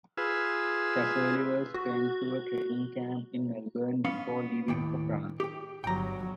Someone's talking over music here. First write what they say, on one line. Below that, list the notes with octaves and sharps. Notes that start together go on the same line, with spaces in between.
Casserly was sent to a training camp in Melbourne before leaving for France.
F4 G#4 B4 E6
F#4
B3 C#4 F5
D#2 A2 G5
G4 G5
G1 F#3 G5 A#5